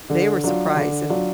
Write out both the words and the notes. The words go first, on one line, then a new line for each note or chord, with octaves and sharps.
they were surprised, and
D3
F#3 D4 F4
D3
F#3 D4 F4